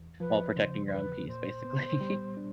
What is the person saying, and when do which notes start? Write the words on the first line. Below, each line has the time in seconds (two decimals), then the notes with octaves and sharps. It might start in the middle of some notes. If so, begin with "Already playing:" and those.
while protecting your own peace, basically.
Already playing: E2
0.20 F3 B4
0.56 C#3 C5
0.87 C5
0.92 E2 B4
1.28 A#2 C5
1.64 B3
2.01 G3
2.37 D4